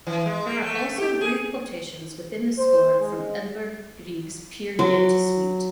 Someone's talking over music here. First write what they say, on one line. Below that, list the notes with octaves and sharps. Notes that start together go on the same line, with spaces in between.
There are also brief quotations within the score from Edvard Grieg's Peer Gynt Suite.
E3
G#3
A#3
A3
G4
G#4
C5
G#3
F#3 F#4